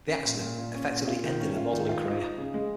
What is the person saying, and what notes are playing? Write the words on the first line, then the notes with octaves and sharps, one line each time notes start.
The accident effectively ended her modeling career.
C#4
A#2
A#2
A#2
C#4
A#2
F4
D#3
C#4
F4
D#3
F4
D#4
D#4
C#3
G#3